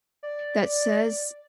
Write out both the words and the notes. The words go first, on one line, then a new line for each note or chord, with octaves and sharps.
that says
D5